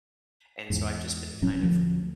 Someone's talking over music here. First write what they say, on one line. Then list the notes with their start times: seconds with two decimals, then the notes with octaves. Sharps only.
and so, I've just been kind of
0.70 E2 G#2
1.42 D1 A2 F#3 C#4
1.63 D2 F3